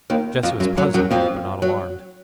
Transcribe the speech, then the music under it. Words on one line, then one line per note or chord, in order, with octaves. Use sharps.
Jesse was puzzled but not alarmed.
D#2 D#3
F2 F3
F#2 F#3
F#2 F#3
F#2 F#3
F2 F3
F#3